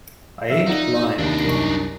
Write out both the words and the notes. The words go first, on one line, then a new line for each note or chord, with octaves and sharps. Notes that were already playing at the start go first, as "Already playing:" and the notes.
I ain't blind.
F3 E5 F6
D#4 F4 D5 F#5
D#2 C3 D4 D#4
C2 F#2 A#4 C#6